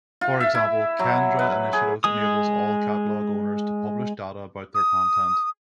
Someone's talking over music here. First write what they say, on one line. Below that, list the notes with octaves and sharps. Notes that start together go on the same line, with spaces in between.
For example Kendra Initiative enables all catalogue owners to publish data about their content.
F4
E5
E4
F#3
B4
G#4
G#3 G#4 D#6
D#6